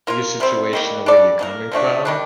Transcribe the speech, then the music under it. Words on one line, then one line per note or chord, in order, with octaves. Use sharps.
your situation and where you're coming from,
A#3 F4 A#4
C3 G3 C4
D#3 G3 A#3
G3 D4 A4 D5
A#3 D#4 A#4
D3 F3 A3 D4
D#3 G3 D4